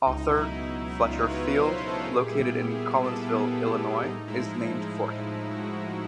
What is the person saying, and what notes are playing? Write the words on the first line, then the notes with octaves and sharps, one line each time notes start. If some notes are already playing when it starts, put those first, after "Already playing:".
Arthur Fletcher Field, located in Collinsville, Illinois, is named for him.
C#2 D#4
D#4
B2 F#3 E4
C#2
B2 F#3
C#2 F4
B4
B2 F#3 C#5
C#2 C5
B4
B2 F#3
A4
A#2 G#4
G4
G3 B3 E4
E4
A#2 G4
G#4
G3 B3
A#2 A4
G3 B3
A#2
G3 B3
A2 D#4
F3 G#3 E4
A2
F3 G#3
A2
F3 G#3
A2 F#4
F3 G#3